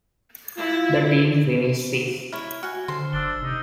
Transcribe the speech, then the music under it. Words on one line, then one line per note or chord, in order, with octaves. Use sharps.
The team finished sixth.
E4 F4
E4 C#5 F6
F#4 G#5 F6
D3 A4 C5 C6
F#1 D4 E6 G7
C3 D#4